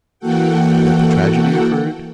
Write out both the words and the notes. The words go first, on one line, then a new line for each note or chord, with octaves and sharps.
"That the tragedy occurred?"
E3 A#3 F#4 A4 F#5 G5